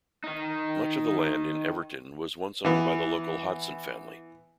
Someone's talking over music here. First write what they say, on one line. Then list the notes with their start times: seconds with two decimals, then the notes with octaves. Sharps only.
Much of the land in Everton was once owned by the local Hodson family.
0.24 D#3 D#4
2.65 E3 B3